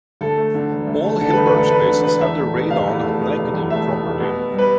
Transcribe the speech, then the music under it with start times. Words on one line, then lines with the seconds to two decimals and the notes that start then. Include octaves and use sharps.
All Hilbert spaces have the Radon-Nikodym property.
0.21 D2 A4
0.38 A3
0.54 D3
0.71 E1
0.87 D2
1.04 A3
1.21 D3 A4
1.33 B4
1.37 E1
1.46 B4
1.54 D2 A4
1.71 A3 B4
1.87 D3
2.04 E1 B4
2.20 E2 E5
2.37 A3
2.54 B2
2.70 F1 F5
2.87 E2
3.04 A3
3.21 B2
3.37 F1
3.54 E2
3.70 A3 E5
3.87 B2
4.04 F1
4.20 B2
4.37 B3
4.54 G3 B4